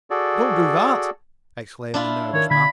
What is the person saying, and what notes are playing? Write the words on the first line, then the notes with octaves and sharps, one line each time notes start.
"Don't do that!" exclaimed the nervous man.
F#4 G#4 A4 D5
D4 E4 F4
D#3 A#4 C#5
D3 B5 G#6